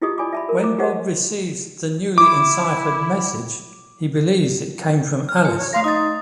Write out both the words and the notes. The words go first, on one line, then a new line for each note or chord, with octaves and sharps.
When Bob receives the newly enciphered message, he believes it came from Alice.
E4 F4 G4 G#4 D#5 D#6
D5 G#5 B5 D6
E5 A5 B5
A#4
A#5 D6
G4 C5 C#5 D#5 F#5
E4 D6
F6
F4 G#5
C#5
A3 F5 C6 A#6
D#4 D#6 A6